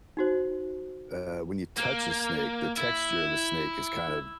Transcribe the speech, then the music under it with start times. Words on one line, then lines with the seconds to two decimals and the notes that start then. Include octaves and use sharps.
uh, when you touch a snake, the texture of a snake is kind of
0.17 D#4 F#4 C5
1.78 A#3
2.77 E4